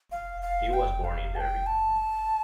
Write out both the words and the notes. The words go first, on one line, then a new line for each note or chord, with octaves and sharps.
He was born in Derby.
F5
F5
G5
F5
A5
G5
A5